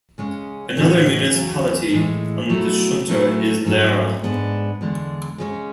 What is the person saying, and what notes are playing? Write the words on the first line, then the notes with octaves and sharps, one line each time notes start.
Another municipality on the Schunter is Lehre.
C#3 G#3 C#4
A2 E3 G#3 D4 F#4
E2 C#3 F#3
A2 E3 G#3
B2 F#3 A3 E4
A2 F#3 A3 C#4 E4
G#2 F#3 A3 C#4
G#2 G#3 B3 D4
E2 D3 G#3 D4
C#3 G#3 C#4